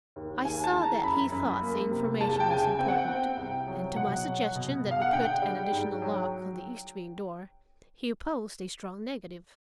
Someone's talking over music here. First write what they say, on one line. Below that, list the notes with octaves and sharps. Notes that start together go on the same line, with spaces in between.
I saw that he thought the information was important, and to my suggestion that we put an additional lock on the east wing door he opposed a strong negative.
D#2
D#2 G#5
A5
E3
A#5
F#2 B5
F#2
A#3
C3
E2 A5
G5
C#3 G#5
C4 G5
F#5
G5
C4
C2
F#3
B2 F#5
F#3
B2
B2
F5
F#5
D3 G5
G3
G#2
F#3